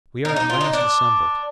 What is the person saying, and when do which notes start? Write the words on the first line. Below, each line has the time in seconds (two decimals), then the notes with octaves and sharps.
We are at last assembled.
0.25 D#4
0.36 D#4
0.50 F4
0.61 D#4
0.73 D4